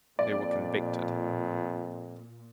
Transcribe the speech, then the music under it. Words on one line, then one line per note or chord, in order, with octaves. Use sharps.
They were convicted.
F2 A#2 D5